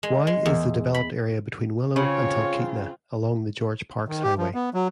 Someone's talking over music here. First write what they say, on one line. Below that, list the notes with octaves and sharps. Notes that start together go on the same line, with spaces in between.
Y is the developed area between Willow and Talkeetna along the George Parks Highway.
G#3
G#3
E2
B5
C#3 C4 F4 C#5
D#3
G4
F3
B3
F#3